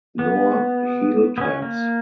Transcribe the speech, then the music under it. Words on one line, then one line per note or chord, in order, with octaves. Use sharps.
Nor Heel Taps.
B3
B3
C#4
A#3